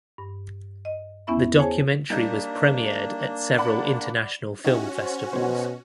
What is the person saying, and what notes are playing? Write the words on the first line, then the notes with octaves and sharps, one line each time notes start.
The documentary was premiered at several international film festivals.
G2
D#5
E2 B3 C#4 E4 E5 B5
G#4 C5 C#5 G#5 A5
G3 A#3 D4 D#4
D5 F#5 B5
C#4 D#4 E4 F#4 G4
C5
B2 C5 C#5